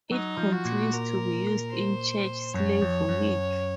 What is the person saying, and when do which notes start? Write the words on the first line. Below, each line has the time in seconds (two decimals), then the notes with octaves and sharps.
It continues to be used in Church Slavonic.
0.11 F#3 D#4
0.37 F3
0.52 F#4
0.65 A#2
0.92 A#4
1.72 C5
2.54 F#2 C#5
2.82 F2
3.09 F#2